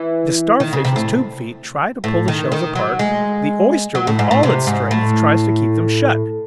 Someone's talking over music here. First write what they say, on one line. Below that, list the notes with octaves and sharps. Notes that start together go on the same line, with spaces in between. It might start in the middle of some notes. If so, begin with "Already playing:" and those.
The Starfish's tube-feet try to pull the shells apart; the oyster, with all its strength, tries to keep them shut.
Already playing: E3
D#3
C#3
C3
A2
A2
D#3
D#3
F#3
G#3
F#3
A2
G#2
A2
C3
G#2
A2